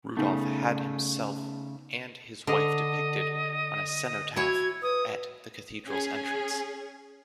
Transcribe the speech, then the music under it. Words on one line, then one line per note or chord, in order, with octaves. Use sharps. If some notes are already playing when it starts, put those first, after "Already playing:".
Rudolf had himself and his wife depicted on a cenotaph at the cathedral's entrance.
C#3 A3 B3 D#4
D3 D#5
E4 F#4 C#5 G#6
B4 D#6
C#4 G#4